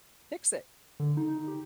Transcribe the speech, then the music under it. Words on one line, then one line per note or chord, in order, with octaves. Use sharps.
fix it."
D3
D#4
G4